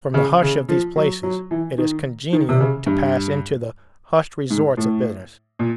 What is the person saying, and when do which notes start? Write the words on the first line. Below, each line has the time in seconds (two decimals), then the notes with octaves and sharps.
From the hush of these places, it is congenial to pass into the hushed resorts of business.
0.14 C#3
0.42 C#3
0.69 F3
0.96 F#3
1.23 F#3
1.51 E3
1.78 D#3
2.33 D#3
2.49 C3
2.60 C#3
2.86 G2
4.50 G#2
4.77 A2
5.59 A#2